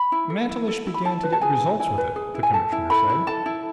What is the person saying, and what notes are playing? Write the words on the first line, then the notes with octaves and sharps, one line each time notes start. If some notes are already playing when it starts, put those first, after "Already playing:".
"Mantelish began to get results with it," the Commissioner said.
Already playing: B5
E4
A4
E4
A4
E4
B5
E4 A5
B4
A5
G#4 G#5
E4
E4 G#5
B4
G#4
E4
G#5
A4 A5
E4
A4 B5
E4
A4 A5
E4